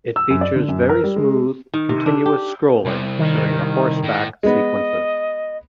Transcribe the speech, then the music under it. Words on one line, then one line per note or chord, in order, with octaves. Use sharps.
It features very smooth continuous scrolling during the horseback sequences.
E6
F#2
D5
D3
F#2
A#4
G3
G#3
D#3
C3
D4
G4
C2
D#3
A2
G#3 B3 D#5